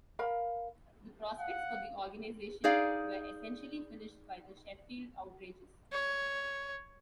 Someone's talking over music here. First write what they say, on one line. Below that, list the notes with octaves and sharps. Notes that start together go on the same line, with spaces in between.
The prospects for the organisation were essentially finished by the Sheffield Outrages.
A#4 F5 B5
F5 F#5
D#4 G#4 D5 F5
C#5